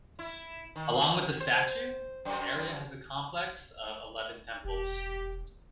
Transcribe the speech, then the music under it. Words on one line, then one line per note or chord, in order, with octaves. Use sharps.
Along with the statue, the area has a complex of eleven temples.
E4
D#3
C5
F#2
E1 G4